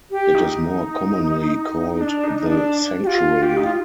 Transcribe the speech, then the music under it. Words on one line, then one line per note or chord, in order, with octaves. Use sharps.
It is more commonly called the sanctuary.
G4
D#4
D4
D#4
D#4
D4
G4
F4
G4
D#4
F4